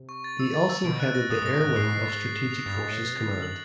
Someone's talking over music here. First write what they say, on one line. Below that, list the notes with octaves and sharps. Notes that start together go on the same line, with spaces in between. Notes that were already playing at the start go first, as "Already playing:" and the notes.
He also headed the Air Wing of Strategic Forces Command.
Already playing: C3
C#6
A6
E6
A6
E6
B2 D7
F#6
A#6
A#2 D#6
G#2 A#6
A#2
G#2 F#6
G#2 C7
A2
G#2 C7
A6
C7
C7
F7
G2 A6
G#2 A6
A2
B2 A6
C3 A6
C#3 A6
D3
D#3 F#7